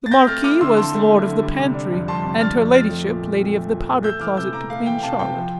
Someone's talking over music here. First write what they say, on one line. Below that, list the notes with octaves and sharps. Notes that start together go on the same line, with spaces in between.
The Marquis was Lord of the Pantry, and her Ladyship, Lady of the Powder Closet to Queen Charlotte.
A6
C4 G6 A#6
A3 F6 A6
E4 D6 F6
D3 C6 E6
C4 A5 C6
A3
E4
D3
G3
C3
D4
F2
G3 A5 C6
C3
D4 F6 A6
F2
C4 F6 A6
A3
A#2
A#2
C4
A3
A#2
A#2
A3 E6 G6
E3 D6 F6
C3 E6 G6
C3 A#5 D6
A3 F5
E3 G5
C3 F5 A5
C3 G5
F3